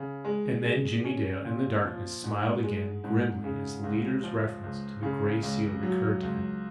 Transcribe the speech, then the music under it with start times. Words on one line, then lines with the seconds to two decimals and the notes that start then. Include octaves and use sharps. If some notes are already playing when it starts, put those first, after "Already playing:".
And then Jimmie Dale, in the darkness, smiled again grimly as the leader's reference to the Gray Seal recurred to him.
Already playing: C#3
0.25 G#3
0.64 G#4
1.04 C#4
1.44 A#2
1.85 F3
2.24 G#2
2.64 G#3
3.04 G#2
3.44 C#3
3.84 C#2
4.23 F3
4.63 C#2
5.03 C#3
5.43 C#2
5.83 F#3
6.23 C#2